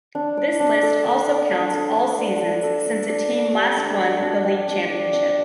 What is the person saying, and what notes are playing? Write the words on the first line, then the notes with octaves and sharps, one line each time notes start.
This list also counts all seasons since a team last won the league championship.
D4
D5
D4
A4
D4
D5
D4
A4
D4
D5
D4
A4
D4
D5
D4
G4
D4
D5
D4
G4
D4
D5
D4